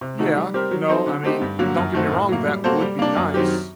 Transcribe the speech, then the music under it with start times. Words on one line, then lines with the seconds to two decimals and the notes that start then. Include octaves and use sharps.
Yeah, no, I mean, don't get me wrong, that would be nice,
0.01 C3
0.19 D#3 A3 D#4 F#4
0.36 G3
0.54 C4 G4 A#4
0.71 F#3
0.89 C4 D#4 A4 C5
1.06 D3
1.23 A3 C4 D#4 G4
1.41 G2
1.59 D3 F#3 A#3
1.77 F#2
1.94 D#3 A3 C4 F#4
2.11 A2
2.29 F#3 A#3
2.46 G3
2.64 A#3 F#4 A4 C5
2.81 G3
2.99 A#3 D4
3.16 F#2
3.34 D#3 F#3 C4 G4